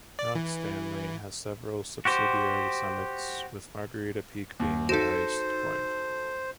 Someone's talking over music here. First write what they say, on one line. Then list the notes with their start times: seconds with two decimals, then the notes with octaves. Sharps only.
Mount Stanley has several subsidiary summits, with Margherita Peak being the highest point.
0.19 D5
0.35 E3
2.05 F#4 G4 C5
4.60 D#2
4.89 D#4 F#4 A4 C5 E7